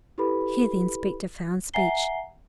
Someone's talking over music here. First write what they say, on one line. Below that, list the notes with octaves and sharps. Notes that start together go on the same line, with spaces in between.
Here the inspector found speech.
E4 G4 A4 B4 B5
E5 F#5 G#5 A#5 C7 G7